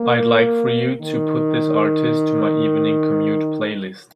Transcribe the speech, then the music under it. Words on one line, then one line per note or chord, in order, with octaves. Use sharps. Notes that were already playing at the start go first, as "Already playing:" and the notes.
I'd like for you to put this artist to my Evening Commute playlist.
Already playing: A#3
D#3